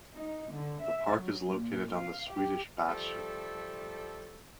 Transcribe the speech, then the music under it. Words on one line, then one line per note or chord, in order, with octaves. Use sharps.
The park is located on the Swedish Bastion.
D#4
D3
E5
F#3
A#2
F5
G4
F3 G3 A3 A4